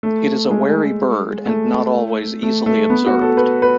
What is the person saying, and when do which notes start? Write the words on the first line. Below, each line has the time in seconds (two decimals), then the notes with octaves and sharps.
It is a wary bird and not always easily observed.
0.03 A3
0.51 G#3
1.46 A3
2.43 A3
2.66 A3
2.90 B3
3.07 F#4
3.21 A4
3.37 B4
3.62 B4